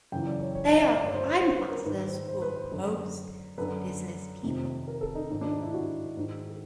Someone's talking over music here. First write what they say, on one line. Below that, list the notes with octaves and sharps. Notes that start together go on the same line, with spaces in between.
They are crime bosses who posed as businesspeople.
F#2 C#3 E3 G5
D5
C#5
C#5
D#5
E5
D5
G2 D3 C#5 D5
C5
C#5
C5
B4
A#4
G#2 D#3 B4
C5
C5
B4
C5
F#2 D3
F#2 D3 B4
F2 C3 D#3
A#4
A4
D#4
G#2 D#3 D#4
D4
D#4
E4
F#4
G#2 D#3